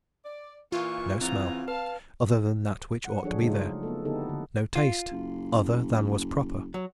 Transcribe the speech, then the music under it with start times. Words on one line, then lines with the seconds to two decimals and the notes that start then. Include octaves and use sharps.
No smell--other than that which ought to be there; no taste--other than was proper.
0.24 D5
0.72 A#2 E3 A#3 F4 C#6
1.21 C#3 E3 C4 A#5
1.68 B4 F5 A5
3.05 F#5
3.24 F3 F#3 D4 G#4 A4 C#5
3.39 C#3 G#3 A3 D#4 F4
3.83 A#3 B3 A4
4.05 D3 B3 D#4 E4 G4 A4
4.29 D3
4.75 F4
5.12 F#1
6.74 F#3